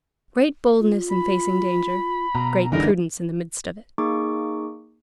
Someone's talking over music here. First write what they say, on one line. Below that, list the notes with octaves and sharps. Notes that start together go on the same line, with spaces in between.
Great boldness in facing danger; great prudence in the midst of it.
F4
B5
B2 A#5
G1 E2 D3 E3 G3 D#4 A#4
A#3 D#4 G#4 C#6 D6